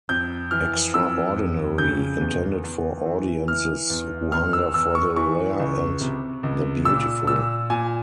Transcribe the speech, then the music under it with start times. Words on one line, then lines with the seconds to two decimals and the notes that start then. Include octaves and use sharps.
Extraordinary, intended for audiences who hunger for the rare and the beautiful.
0.09 F2 G6
0.51 E3 F6
0.94 F2 E6
1.36 F2
1.78 C#3 G6
2.21 E2
2.63 E2
3.05 E3
3.48 E3 F6
3.90 E2
4.32 E2 F6
4.53 E6
4.74 E2 E6
4.95 C#6
5.16 E3 C#6
5.59 C#2
6.01 C3
6.43 C#2
6.85 A#2 E6
7.27 A#2 E6
7.70 A#2 G#5